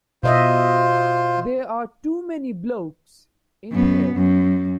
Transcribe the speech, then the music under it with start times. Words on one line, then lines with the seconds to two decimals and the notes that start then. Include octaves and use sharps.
There are too many blokes in here.
0.23 B2 F4 C5 D#5 E5
3.71 F#2 B3
4.15 F#2